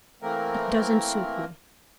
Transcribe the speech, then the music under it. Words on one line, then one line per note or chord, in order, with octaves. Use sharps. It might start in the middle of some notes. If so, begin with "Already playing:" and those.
It doesn't suit me.
E3 A3 A#3 C4 A#4